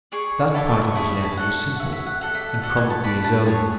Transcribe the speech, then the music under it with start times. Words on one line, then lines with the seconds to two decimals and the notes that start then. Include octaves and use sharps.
That part of his letter was simple, and probably his own.
0.12 G#4 D5 C#6
0.54 E4 A4 C#5 A5
0.68 A5
0.82 C#6
0.95 E4 G#4 C#5
1.09 B5
1.23 A5
1.37 F#4 A4 D5 F#5
1.79 F#4 E5
1.83 C#5
1.92 E5
2.06 F#5
2.21 F#4 A4 D5 F#5
2.35 E5
2.49 F#5
2.62 F#4 A4 D5 F#5
2.77 G#5
2.90 A5
3.04 F#4 B4 D5 B5
3.24 A5
3.45 G#4 C#5 G#5